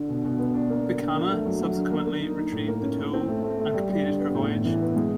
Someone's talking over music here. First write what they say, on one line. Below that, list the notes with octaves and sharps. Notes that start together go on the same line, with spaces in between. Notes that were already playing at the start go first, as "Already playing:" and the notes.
"Pakana" subsequently retrieved the tow and completed her voyage.
Already playing: D3
B2
B2
B3
D4
A#3
D3
D3
A#3
A3
F#3
F#3
D3
A#3
A#3
D#4
D#4
A2
A#3
C#4
A2
C4
A3
A3
A3
G3
G3
D3
B3
A2
A2
E3
B3
G#3